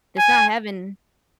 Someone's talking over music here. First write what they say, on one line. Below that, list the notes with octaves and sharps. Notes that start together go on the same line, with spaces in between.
It's not heaven.
G#5